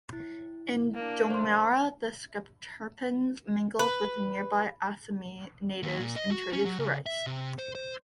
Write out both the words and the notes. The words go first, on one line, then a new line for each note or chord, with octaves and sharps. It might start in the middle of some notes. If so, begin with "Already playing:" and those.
In Doimara, the Sherdukpens mingled with the nearby Assamese natives and traded for rice.
E4
A#3 D4
C5 C6
B4
D#2
A#2
D#5
F#4
C#4
F#3
C#3
E5
C3
C5
C5